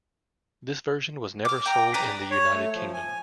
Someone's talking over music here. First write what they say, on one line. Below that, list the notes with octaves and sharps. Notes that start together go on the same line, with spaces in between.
This version was never sold in the United Kingdom.
D6 F6
G5 A#5
B4 D5 A#5
C#5
A3
F3
G#5